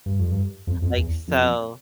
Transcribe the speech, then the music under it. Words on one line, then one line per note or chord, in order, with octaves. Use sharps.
Like, so
G2
F2
G2
F2
F2
E2
F2